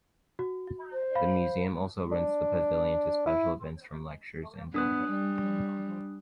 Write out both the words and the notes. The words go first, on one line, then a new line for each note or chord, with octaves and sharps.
The museum also rents the pavilion to special events from lectures to dinners.
F#4
C5
F5 B5
D4
E4
B3 D4 D#6 F#6
G3